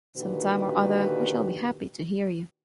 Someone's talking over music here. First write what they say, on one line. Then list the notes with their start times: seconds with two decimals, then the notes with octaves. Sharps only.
Some time or other we shall be happy to hear you.
0.17 A#2 D3 D#3 F#4 G4 B4